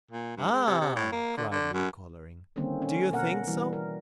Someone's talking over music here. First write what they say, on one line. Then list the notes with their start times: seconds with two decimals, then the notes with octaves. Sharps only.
"Ah!" cried Louis, coloring, "do you think so?"
0.11 A#2
0.37 G2
0.52 G#3
0.67 C3
0.81 C3
0.96 A2
1.12 A#3
1.37 D3
1.51 D3
1.74 F#2
2.56 D3 D#3 G3 A#3 C4 C#4
2.82 C#4
3.12 B2 A#3 A#4 F#5
3.47 E3 G3
3.73 A#4